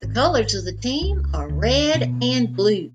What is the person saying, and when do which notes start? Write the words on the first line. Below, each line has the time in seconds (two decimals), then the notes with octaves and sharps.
The colours of the team are red and blue.
0.03 G#1
1.02 C#2
1.49 D2
1.94 B2